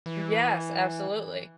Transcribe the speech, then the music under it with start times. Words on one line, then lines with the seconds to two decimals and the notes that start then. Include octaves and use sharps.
Yes, absolutely.
0.06 E3